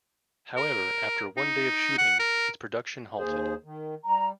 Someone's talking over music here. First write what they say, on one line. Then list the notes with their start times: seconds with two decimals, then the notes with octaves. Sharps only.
However, after one day of shooting its production halted.
0.56 A#4
1.37 D#4
1.98 F#5
2.19 A#4
3.17 D#2 G#4 C5
3.64 D#3
4.06 G3 A#5